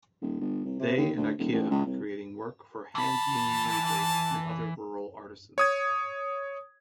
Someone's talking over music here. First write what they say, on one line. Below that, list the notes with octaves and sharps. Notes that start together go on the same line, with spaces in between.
They and Ikea are creating work for hand loom weavers and other rural artisans.
D#1
G1
C2
C3
D#2
D2
D#1
A1
C#2
C2
E3 A5 B5
C#5 D#6 G#6